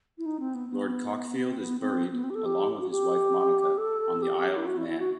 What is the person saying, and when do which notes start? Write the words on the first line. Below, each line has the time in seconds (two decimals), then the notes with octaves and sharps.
Lord Cockfield is buried, along with his wife Monica, on the Isle of Man.
0.18 E4
0.26 D#4
0.40 C4
0.54 B3
0.69 B3
1.46 C4
1.57 B3
1.79 C4
2.13 B3
2.24 C4
2.30 G4
2.35 A4
2.45 G4
2.80 F#4
2.90 G4
3.77 A4
4.22 G4
4.57 E4
4.66 F#4
4.77 E4
4.88 E4
4.99 F#4